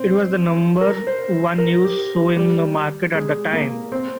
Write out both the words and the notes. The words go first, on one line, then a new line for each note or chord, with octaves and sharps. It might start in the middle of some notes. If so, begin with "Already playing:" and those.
It was the number one news show in the market at the time.
Already playing: C4
A#4
C5
A#4
G4
G3
G#3
A#3
C4